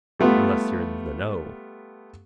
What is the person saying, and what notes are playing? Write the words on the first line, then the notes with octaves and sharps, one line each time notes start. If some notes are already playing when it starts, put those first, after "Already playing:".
Unless you're in the know.
G3 A3 B3 F4